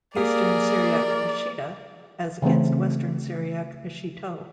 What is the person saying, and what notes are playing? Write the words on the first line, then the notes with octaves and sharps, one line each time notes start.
Eastern Syriac "Peshitta" as against Western Syriac "Peshito".
A#3 G4 G#4 A#4 D5 F5
C#3 E3 A3 C4